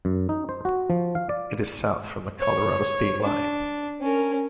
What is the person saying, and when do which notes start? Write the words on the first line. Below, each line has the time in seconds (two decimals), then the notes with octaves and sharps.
It is south from the Colorado state line.
0.05 F#2
0.29 D#4
0.49 C5
0.65 F#4
0.90 F3
1.15 F5
1.29 D5
2.40 C#5
3.22 D4
4.02 C#4 A#4